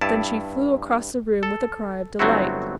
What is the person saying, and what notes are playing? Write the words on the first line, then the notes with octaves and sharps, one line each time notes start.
Then she flew across the room with a cry of delight.
G2 E4 A5
A4
G1 F#3 A3 C4 E4 F#4